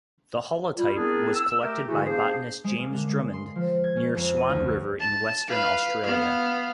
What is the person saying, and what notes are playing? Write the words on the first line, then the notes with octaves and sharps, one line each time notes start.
The holotype was collected by botanist James Drummond near Swan River in Western Australia.
G3 F4
B3 C4 D4 E4 G#4 A#4
E6
A3 G4 A#4
D3 E3 A3 E4 F#4 G#4
B3 D4 G4 G#4 C5 F5
G#3
A#3
D3
G#3
C6
F3
G#6
C#4
F2
D#7
D2
A5
B4 F5
B3 F5